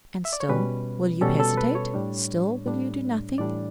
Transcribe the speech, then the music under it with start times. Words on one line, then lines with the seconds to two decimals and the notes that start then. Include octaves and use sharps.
And still will you hesitate; still will you do nothing?
0.25 E5
0.33 D5
0.40 C#5
0.49 B2 G3 C#4 B4
1.21 B2 G3 C#4 A4
1.40 A4
1.57 B4
1.75 C#5
1.94 A2 G3 D4
2.66 A2 G3 D4
3.38 A2 E3 G3 D4 D5